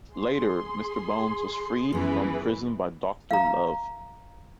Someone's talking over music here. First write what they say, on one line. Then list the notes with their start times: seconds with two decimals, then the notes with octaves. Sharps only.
Later, Mr. Bones was freed from prison by Doctor Love.
0.12 G#4 C6
1.92 F#2 E3 B3 G#4 B4
3.31 F5 A#5